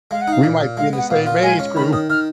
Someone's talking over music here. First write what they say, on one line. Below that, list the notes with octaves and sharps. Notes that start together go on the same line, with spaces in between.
We might be in the same age group.
G#3 F5
F#5
D#4 F5
A#2
A#2
G#3 F5
B3 F#5
A#2 F5
F4
G#3 G#5
C#4
D#3 B5
D#3 D#6
D#3 F6